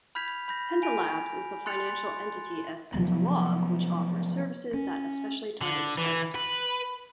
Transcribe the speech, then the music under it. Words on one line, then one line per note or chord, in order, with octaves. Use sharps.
Pentalabbs is the financial entity of Pentalog which offers services that especially target start-ups.
B5 F6 G6 G#6 B6 F7
B5 G6 A#6
G#5 D7 F7
C6 F#6 A6 C#7 F7
C3 F3 F#3 B3
C#4
D3
E3
B4